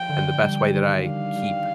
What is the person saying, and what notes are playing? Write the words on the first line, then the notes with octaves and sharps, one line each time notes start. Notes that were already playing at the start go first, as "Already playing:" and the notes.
And the best way that I keep
Already playing: F3 G5
D3
G3
D#3
D4 F5
G3